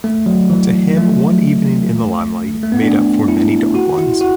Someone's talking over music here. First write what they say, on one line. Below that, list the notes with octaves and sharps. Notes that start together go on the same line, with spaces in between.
To him one evening in the limelight made up for many dark ones.
A3
F#3
E3
A3
A3
B3
D4
E4
F#4
E4
F#4